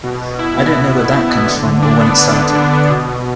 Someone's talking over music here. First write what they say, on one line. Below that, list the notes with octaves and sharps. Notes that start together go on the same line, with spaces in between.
I don't know where that comes from or when it started.
B2
B2
E4
B3
B2
B2
E4
B3
D3
D3
D4
B3
D3
D3
D4
B3
B2
B2